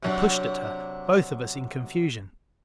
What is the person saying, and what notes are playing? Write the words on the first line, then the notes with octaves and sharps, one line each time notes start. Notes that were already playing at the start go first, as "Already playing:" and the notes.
I pushed at her, both of us in confusion.
C3 F#3 D4